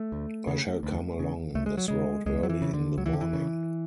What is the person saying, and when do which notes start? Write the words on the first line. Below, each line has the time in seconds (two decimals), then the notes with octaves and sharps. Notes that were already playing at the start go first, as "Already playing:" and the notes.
I shall come along this road early in the morning.
Already playing: A3
0.12 D2
0.47 C#3
0.83 D2
1.19 C#3
1.55 C#2 A3
1.66 G#3
1.77 F#3
1.88 C#3 G#3
2.26 C#2 G#3
2.43 F#3
2.50 E3
2.62 C#3
2.74 D3
2.97 C#2 F#3
3.06 E3
3.13 D3
3.21 E3
3.33 C#3